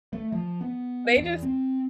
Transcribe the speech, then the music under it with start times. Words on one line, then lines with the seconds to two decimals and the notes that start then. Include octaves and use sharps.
They just
0.13 A3
0.32 F3
0.61 B3
1.17 E2
1.43 C4